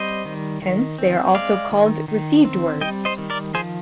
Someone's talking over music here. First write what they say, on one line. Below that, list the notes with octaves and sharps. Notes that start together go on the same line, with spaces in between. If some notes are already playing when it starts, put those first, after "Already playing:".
Hence they are also called received words.
Already playing: G3 C4 C5 D#5
D#3
D#3
C4
G#3 D5 F5
D#3
D#3
C4
G3 D#5 G5
C5 D#5
D#3
A#4 D5
F3 G#4 C5